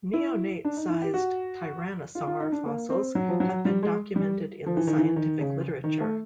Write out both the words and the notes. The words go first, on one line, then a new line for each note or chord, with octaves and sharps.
Neonate sized tyrannosaur fossils have been documented in the scientific literature.
E4
D4
D#4
E4
G4
F#4
F4
F4
D#4
D4
A#3
C4
F#3
F3
F#3
G3
G#3
G3
F3
E3
D#3
E3
D#3
C#3
D#3
A3